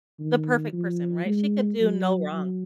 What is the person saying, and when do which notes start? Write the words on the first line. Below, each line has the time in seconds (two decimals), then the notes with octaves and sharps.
the perfect person, right? She could do no wrong.
0.20 D#3
0.73 F3
1.26 G#3
1.80 F#3
2.33 F#3